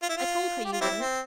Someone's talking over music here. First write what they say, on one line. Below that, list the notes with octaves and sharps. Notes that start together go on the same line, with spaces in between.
I told her you wouldn't.'
F4
E4
F4
G4
F4
G3 C4 E4
C4